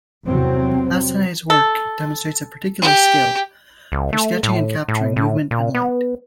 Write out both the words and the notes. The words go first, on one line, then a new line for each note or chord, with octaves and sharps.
Massonet's work demonstrates a particular skill for sketching and capturing movement and light.
E2 C3 F#3 C4
A4
G4
C#2
A3
A2
A2
A2
A#2
B3